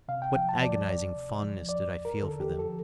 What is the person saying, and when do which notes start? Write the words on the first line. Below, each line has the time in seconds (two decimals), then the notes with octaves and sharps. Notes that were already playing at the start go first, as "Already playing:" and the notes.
What agonizing fondness did I feel for them!
0.08 C3 F5
0.22 G5
0.36 F3 G5
0.49 A5
0.62 D2 D5
0.89 D2
1.16 C3
1.43 F3
1.69 E2 D5
1.96 E2
2.05 A#4
2.23 D3 A4
2.40 G4
2.50 F3
2.59 A4